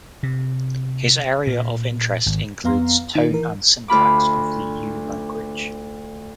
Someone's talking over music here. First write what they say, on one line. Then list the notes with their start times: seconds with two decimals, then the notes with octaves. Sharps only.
His area of interest includes tone and syntax of the Ewe language.
0.23 C3
1.47 A#2
2.26 G#1
2.64 F2 B3 F5 A#5 C6
3.15 D#3 D#4
3.31 E3 A#4
3.88 D2 F4 B5 D6